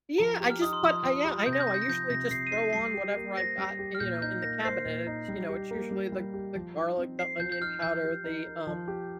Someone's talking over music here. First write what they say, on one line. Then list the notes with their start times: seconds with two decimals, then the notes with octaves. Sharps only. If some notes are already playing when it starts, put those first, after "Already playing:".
Yeah, I just put I yeah, I know, I usually just throw on whatever I've got, you know, in the cabinet. It's, you know, it's usually the the garlic, the onion powder, the, um,
0.18 F3 A#5
0.40 G4
0.50 F6
0.61 D#4 D#6
0.73 C6
0.83 F3 D#6
1.03 F3
1.24 G4
1.46 C3 G6
1.53 A#6
1.60 G6
1.67 D#4 A#6
1.74 G6
1.82 A#6
1.88 F3 G6
2.10 C3 A#6
2.30 C3 C7
2.47 D#7
2.51 D#4 C7
2.73 G3 C7
2.94 G4
3.16 A#3
3.37 C5 A#6
3.58 G3
3.79 G4
3.95 F6
4.00 A#2 G6
4.22 D#4 G6
4.43 A#3 A#6
4.65 C5 C7
4.85 A#2
5.07 D#4
5.28 G3
5.49 G4
5.71 A#3
5.91 G3
6.12 G3
6.34 G4
6.55 F3
6.76 D#4
6.97 C4
7.19 C5 C7
7.39 F3 G6
7.52 G6
7.61 D#4 F6
7.82 F3 G6
8.04 G4
8.24 D#4
8.46 A#4
8.67 F3
8.88 G4